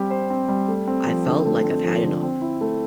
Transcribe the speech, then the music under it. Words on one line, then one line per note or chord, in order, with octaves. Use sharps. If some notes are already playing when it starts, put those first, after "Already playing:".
I've felt like I've had enough.
Already playing: G3 C4 G4
C5
C4
G3
A3
C4
F3
D3
A3
C4
F3
D3
C4
E4
A3